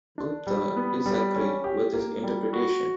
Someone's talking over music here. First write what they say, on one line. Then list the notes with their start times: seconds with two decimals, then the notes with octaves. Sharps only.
Gupta disagree with this interpretation.
0.18 D4
0.47 G3
0.76 B3
1.06 G3
1.35 C#4
1.64 G4
1.94 A#3
2.23 G3
2.53 F#4